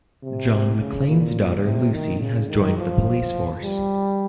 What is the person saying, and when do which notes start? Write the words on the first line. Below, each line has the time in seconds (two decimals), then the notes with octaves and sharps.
John McClane's daughter Lucy has joined the police force.
0.23 C3
0.80 C#3
1.08 A#2
1.65 C3
1.94 D#3
2.22 C#3
2.50 D#3
2.78 F3
3.64 G3